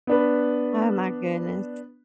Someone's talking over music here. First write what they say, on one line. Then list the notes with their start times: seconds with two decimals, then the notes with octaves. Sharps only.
Oh my goodness.
0.07 B3 D4 B4